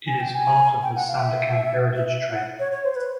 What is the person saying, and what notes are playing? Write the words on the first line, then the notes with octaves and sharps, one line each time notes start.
It is part of the Sandakan Heritage Trail.
G#5
G5
G#5
G5
F#5
F5
E5
E5
E5
E5
F#5
C#5
C#5
C5
B4